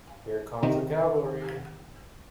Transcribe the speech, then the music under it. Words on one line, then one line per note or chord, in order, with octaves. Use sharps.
Here comes the cavalry.
C3 D#3